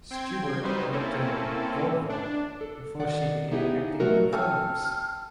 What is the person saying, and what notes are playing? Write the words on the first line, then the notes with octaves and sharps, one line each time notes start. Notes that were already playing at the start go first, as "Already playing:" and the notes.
Stewart worked in vaudeville before she began acting in films.
C4 G5 C6 G#6
F#3 G3 D#4 B4 C5
A#3 C4 C#4 E4 A4
D4
A4
D#3 D5 F#5
B3 D#4 E4 G4 G#4
F#3 A3 F#4 A#4 D#5
A3 C#4 F#5 G5 A5 E6 F6